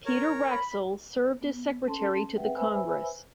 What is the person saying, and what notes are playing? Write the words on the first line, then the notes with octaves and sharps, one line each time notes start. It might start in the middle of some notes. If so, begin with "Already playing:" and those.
Peter Wraxall served as Secretary to the Congress.
A#4 C#5
B5
B3
C#4 A4 A5 C6
C4 B4 E5 F#5 G5
B4 C5 E5 G#5 B5 E6